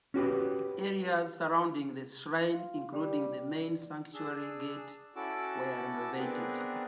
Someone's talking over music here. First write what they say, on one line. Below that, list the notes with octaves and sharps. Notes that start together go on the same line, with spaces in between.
Areas surrounding the shrine including the Main Sanctuary Gate, were renovated.
C#4 F#4 G4 B4
F4
G3
D4 G#4 E6
C#4 E4 F#4 A4 D6 E6
B3 C4 D4 G#4 A#4 B4